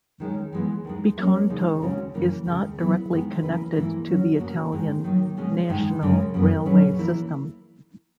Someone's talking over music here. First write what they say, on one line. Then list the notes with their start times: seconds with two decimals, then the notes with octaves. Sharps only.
Bitonto is not directly connected to the Italian national railway system.
0.20 D#3 G#3 C#4
0.53 E3 G#3 B3
0.85 D#2 D#3 G#3
1.17 F#3 A#3 C#4
1.49 E2 C#3 G#3 D#4 G#4
1.81 D#2 C#3 G#3 C#4 F#4
2.14 F#2 C#3 E3 A#3
2.46 D#2 C#3 G#3
2.78 F#3 B3 E4 G#4 B4
3.11 D#3 G#3 B3
3.43 C#3 E3 A#3 E4 B4
3.76 G#2 E3 A#3 E4 A#4
4.07 F#3 C#4 F#4
4.40 B2 A#3 C#4 F#4 A#4
4.72 G#2 D#3 G#3
5.04 D#3 F#3 A#3
5.37 B2 G#3 C#4
5.69 G#2 D#3 G#3
6.01 F#2 C#3 G#3 C#4
6.34 F#2 C#3 F#3 B3
6.65 A#2 F#3 C#4 G#4 B4
6.98 E3 A#3 E4